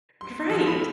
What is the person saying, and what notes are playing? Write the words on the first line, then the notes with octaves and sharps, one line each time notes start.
G F Right.
C6
F3
B5